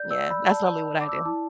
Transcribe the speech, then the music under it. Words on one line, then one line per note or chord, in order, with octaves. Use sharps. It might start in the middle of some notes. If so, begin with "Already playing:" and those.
Yeah. That's normally what I do.
Already playing: D5 G6
D5 E6
B5
D5 A5
D5
D6
E6
D6
E4 A5